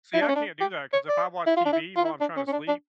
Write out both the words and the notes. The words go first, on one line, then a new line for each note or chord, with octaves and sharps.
See, I can't do that, 'cause if I watch TV while I'm trying to sleep,
E4
D4
C#4
D4
G4
C#5
D5
E4
F4
D4
E4
F4
E4
D4
C#4
C#4
D4
D4